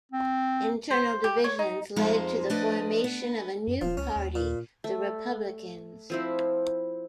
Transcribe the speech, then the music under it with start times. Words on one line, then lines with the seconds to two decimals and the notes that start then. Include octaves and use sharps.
Internal divisions led to the formation of a new party, the Republicans.
0.12 C4
0.91 C5
1.24 G4
1.44 C#5
1.59 D#4
1.96 F2 F3 G#3 D#4 C5
2.50 F3 A3 D4 B4 D5 D#5
3.04 B3
3.67 F#2
3.81 D#1 F3
3.97 C#2 C#4
4.16 D#2
4.35 A#2
4.84 A3
6.10 F3 C4 E4